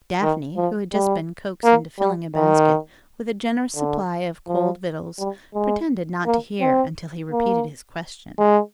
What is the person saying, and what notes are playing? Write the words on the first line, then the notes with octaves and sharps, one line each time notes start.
Daphne, who had just been coaxed into filling a basket with a generous supply of cold victuals, pretended not to hear until he repeated his question.
D#3
F3
G3
A#3
G3
D#3
D3
F3
G3
G#3
A#3
C4
A#3
G#3